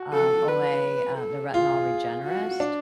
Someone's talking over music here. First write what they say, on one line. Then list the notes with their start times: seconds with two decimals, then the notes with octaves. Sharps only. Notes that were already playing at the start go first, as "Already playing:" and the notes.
um, Olay, uh, the Retinol Regenerist,
Already playing: F#4
0.14 A4
0.49 B4
1.18 A4
1.54 F4 G#4
2.24 F#4
2.60 D4